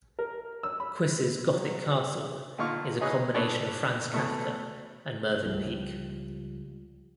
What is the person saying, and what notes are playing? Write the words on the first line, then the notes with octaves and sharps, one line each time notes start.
Quiss's Gothic castle is a combination of Franz Kafka and Mervyn Peake.
A#4
E6
B5
F#3
A#2 D3 D#4 F4 F5 C#6
D#4 G#4 B4 C#5 D#5
D4 A4 B4 C#5
E2 B2 A3 B3
C#2 F3 G3